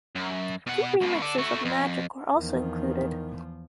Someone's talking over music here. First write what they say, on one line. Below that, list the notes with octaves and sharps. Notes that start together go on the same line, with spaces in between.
Two remixes of "Magic" were also included.
F#2
B2 F#5
C#2 B2
A4 D5
A3 F#4
F2
E2 D#3 F3